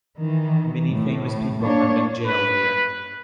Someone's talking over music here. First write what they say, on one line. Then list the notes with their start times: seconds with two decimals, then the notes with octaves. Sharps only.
Many famous people have been jailed here.
0.18 D#3 E3
0.92 A2
1.61 A#3 D4 C#5
2.24 B4